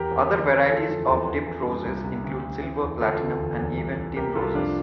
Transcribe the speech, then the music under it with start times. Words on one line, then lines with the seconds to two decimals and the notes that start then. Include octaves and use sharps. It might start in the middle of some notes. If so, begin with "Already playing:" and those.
Other varieties of dipped roses include silver, platinum, and even tin roses.
Already playing: E2 G4 A#4
0.11 E2
0.30 D2
0.50 D2
0.69 E3 F4 A4
0.89 F2
1.08 E2
1.27 E2
1.47 E3
1.66 G2
1.85 C2
2.04 C2
2.24 D2
2.43 D2
2.62 E3
2.81 E2
3.00 D2 F4 A4
3.20 D2
3.39 E2
3.59 E2
3.78 C2
3.97 C2
4.16 C2 G4 A#4
4.35 C2 F4 A4
4.55 F2 D4 F4